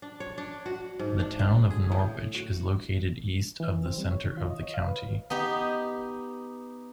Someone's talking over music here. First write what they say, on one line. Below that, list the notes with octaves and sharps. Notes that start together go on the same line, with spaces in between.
The town of Norwich is located east of the center of the county.
D4
C#5
D4
F#4
G#2
D4
D3
G#4
A2
F#4
E3
C4
G3
C#5
D#3
F4
D#5
C#5
F5
B4
B3 D#4 G4